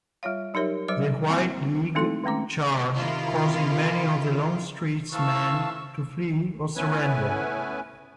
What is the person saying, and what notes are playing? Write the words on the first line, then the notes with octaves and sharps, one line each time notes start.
The White League charged, causing many of Longstreet's men to flee or surrender.
G3 F4 C#5 F5
F#3 D#4 G4 A#4 C#5 E5
F#3 G3 C5 D6
G3 A#3 C4 E4 G#5
G#3 A3 C4 D#4 E4 A4
D#3 G#3 A3 C#4 D6
C3 D#3 E4 F4
E3 F3 A3 F5 A5 C#6 E6
A3 B3 C#4 E4 B4 G#5